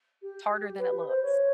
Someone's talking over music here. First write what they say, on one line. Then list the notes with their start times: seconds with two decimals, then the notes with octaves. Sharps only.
T harder than it looks.
0.22 G4
0.78 B4
1.07 C5
1.22 C#5